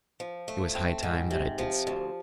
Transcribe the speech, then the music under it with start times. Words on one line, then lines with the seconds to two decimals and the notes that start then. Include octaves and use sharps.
It was high time that I did so.
0.20 F3
0.48 A3
0.75 C4
1.03 G#2
1.31 C3
1.58 F3
1.87 D2